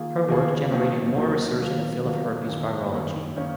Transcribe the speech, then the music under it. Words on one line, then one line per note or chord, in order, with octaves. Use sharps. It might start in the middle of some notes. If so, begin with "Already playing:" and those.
Her work generated more research in the field of herpes virology.
Already playing: D#3 A#3 F4 G#4
D#2 D#3 A#3 F4 G#4
D#2 D#3 F#3 A#3 F4
D#2 D#3 F#3 A#3 F4
D#2 D#3 F#3 A#3 F4
D#2 D#3 F#3 A#3 F4
F#2 D#3 A#3 C#4
F#2 D#3 A#3 C#4
D#3 A#3 C#4